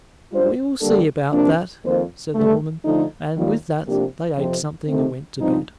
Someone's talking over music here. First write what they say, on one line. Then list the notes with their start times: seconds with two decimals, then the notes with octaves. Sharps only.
"We will see about that," said the woman, and with that they ate something and went to bed.
0.31 G3 D4 F4 C5
0.81 D3 G3 A#3 D4 A4
1.32 C3 F3 A#3 D4
1.83 F2 D#3 A#3 F4 C5
2.34 G2 D3 A3
2.84 D3 F3 A3 D#4
3.36 D#2 D#3 G3 A#3 F4
3.86 C3 F3 A#3 D4 G4
4.37 F2 C3 F3 C4
4.88 C3 D#3 A3 C4
5.39 G2 F3 C4 D#4